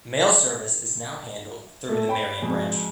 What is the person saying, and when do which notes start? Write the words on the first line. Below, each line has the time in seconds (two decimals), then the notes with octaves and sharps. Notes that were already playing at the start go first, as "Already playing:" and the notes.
Mail service is now handled through the Marion branch.
1.89 A3 A4
2.08 C#5 G5 B5
2.42 F2 G#2 F#4 G#4